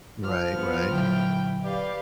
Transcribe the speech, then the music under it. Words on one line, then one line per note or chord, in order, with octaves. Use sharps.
Right, right.
F3 F6
B3
A#2 D3 F#3 E4 G5
G4 B4 D5 F5